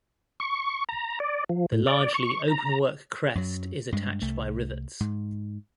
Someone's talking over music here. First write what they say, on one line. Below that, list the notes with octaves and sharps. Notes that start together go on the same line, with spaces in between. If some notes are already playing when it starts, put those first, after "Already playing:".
The largely openwork crest is attached by rivets.
C#6
A#5
D5
F3
A2
D5
C#6
A#5
F#2 F#3
G2 G#3
C2 A3
G#2